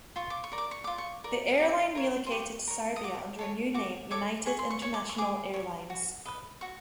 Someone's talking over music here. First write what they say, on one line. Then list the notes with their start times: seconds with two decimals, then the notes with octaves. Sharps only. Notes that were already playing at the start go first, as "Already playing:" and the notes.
The airline relocated to Serbia under a new name, United International Airlines.
0.16 F4 C#6
0.30 D6
0.44 C#6
0.52 A#4 D5
0.58 D6
0.71 C#6
0.84 F4 D6
0.98 C#6
1.24 A#4 D5
1.59 G4
1.95 A#4 C#5
2.26 C6
2.31 G4 C#6
2.67 A#4 C#5
2.96 D#6
3.04 F#4 D6
3.39 A4 C#5
3.74 F#4 D6
4.11 A4 C#5 D6
4.46 G#4 C#6
4.59 C6
4.70 C#6
4.82 C#5 C#6
4.94 D6
5.09 C#6
5.18 G#4 D6
5.54 C#5
5.90 F#4
6.26 B4 D#5
6.61 F#4 C#6